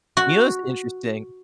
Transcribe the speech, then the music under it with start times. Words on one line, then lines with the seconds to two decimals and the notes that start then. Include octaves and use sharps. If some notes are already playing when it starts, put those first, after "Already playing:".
You know what's interesting?
0.17 F#4